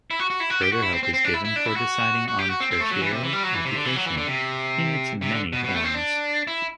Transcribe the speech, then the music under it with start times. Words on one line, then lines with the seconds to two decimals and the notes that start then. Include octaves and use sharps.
Further help is given for deciding on tertiary education in its many forms.
0.11 E4
0.19 F#4
0.30 F#4
0.40 E4
0.50 F#4
0.61 G4
0.72 F#4
0.82 E4
0.93 C4
1.03 C4
1.14 C4
1.24 D4
1.34 E4
1.45 E4
1.56 D4
1.66 E4
1.76 F#4
2.28 F#4
2.39 G4
2.50 F#4
2.60 C4
2.71 C4
2.80 A3
2.91 F#3
3.01 E3
3.12 C3
3.23 E3
3.33 G3
3.43 F#3
3.54 E3
3.65 C3
3.75 D3
3.85 E3
3.96 F#3
4.07 E3
4.17 D3
4.27 C3
5.22 C3
5.32 D3
5.53 B2
5.64 B2
5.74 A3
5.84 C4
5.94 D4
6.47 E4